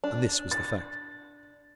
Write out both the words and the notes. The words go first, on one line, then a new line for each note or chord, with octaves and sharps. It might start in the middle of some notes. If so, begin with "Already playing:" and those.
And this was the fact.
D4
A6